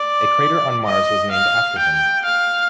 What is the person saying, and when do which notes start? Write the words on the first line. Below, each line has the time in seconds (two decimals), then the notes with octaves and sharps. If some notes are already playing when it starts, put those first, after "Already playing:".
A crater on Mars was named after him.
Already playing: D5
0.85 D#5
1.31 F5
1.78 G5
2.25 F5